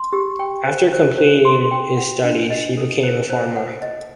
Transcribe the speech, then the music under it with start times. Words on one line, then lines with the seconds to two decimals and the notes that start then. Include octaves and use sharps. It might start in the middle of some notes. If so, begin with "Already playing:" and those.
After completing his studies he became a farmer.
Already playing: C6
0.13 G4
0.39 G5
0.66 C5
0.93 C5
1.18 C5
1.45 C6
1.71 G5
1.97 F#5
2.24 D4
2.50 D#5
2.77 A4
3.03 C5
3.30 C5
3.56 F#5
3.82 D#5